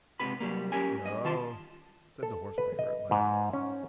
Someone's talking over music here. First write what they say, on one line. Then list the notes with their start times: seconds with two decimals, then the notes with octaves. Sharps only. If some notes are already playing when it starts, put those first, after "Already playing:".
"No," said the horse-breaker, at last.
0.20 C#2 G#2 C3 B4 B5
0.40 C3 F#3 G3 A#3
0.72 C#4 G4 A#4 G#5
1.06 G2 D#5
1.24 D#3 F4 A5 C6
2.23 A4
2.58 B4
2.79 D#5
3.11 G#2
3.53 C#4